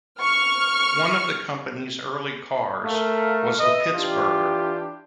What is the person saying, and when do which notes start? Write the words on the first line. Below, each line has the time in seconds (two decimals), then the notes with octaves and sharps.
One of the company's early cars was the Pittsburgher.
0.21 C#6 F6
2.85 A3 A#4 F5
3.59 B4 D#5 E5
3.94 E3 D4 F4 G4